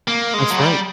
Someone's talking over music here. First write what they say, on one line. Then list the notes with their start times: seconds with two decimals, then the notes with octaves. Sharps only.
That's right.
0.08 A#3
0.34 G#3
0.51 F#3
0.60 G3